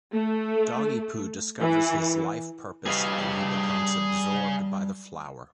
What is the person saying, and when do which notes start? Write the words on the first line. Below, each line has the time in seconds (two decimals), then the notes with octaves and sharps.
Doggy Poo discovers his life purpose and he becomes absorbed by the flower.
0.13 A3
1.59 E3
2.86 G3 G#4 B4 D#5 F5